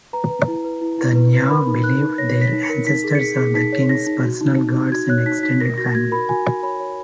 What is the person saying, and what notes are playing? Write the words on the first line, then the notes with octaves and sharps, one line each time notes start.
The Nyaw believed their ancestors are the king's personal guards and extended family.
B4 A#5
B4
E4
B4
E4
E4
B4
B4
A#4 B5
D#4
D#4 F#6
D#4
C#5 A#6
C#5
B6
D#4
C#7
A#4
D#4 B6
G#4
C#7
G#4 B6
G#4
D#4 B6
C#5
D#4 A#6
D#4
F#4
D#4
D#4
D#4
F#4 G#6
C#5 F#6
D#4 B6
D#4 B6
A#4 A#6
F#4 A#6
F#4 G#6
A#4 B5
F#4 G#5
F#4
C#5 B5
C#5